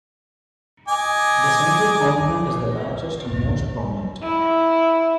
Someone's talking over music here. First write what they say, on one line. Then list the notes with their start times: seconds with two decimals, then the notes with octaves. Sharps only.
The central component is the largest and most prominent.
0.88 D#5 G#5 D6
4.23 E4